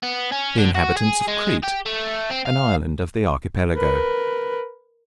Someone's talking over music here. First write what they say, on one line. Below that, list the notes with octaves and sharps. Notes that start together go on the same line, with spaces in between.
The inhabitants of Crete, an island of the Archipelago.
B3
C#4
D3
F#4
G#4
G#3
G4
A3
C4
F5
A#4 B4